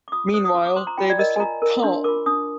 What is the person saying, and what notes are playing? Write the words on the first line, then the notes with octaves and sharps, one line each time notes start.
Meanwhile, Davis looked calm.
D6
F4 D#6
C5 D#6
D#6
F4 D6
D6
C5 C6
A#5
F4 G5
D5
A#4 D#5
G#5
F4 A#5
A#4
D4 C6
F4 A#4 D6
D4 D#6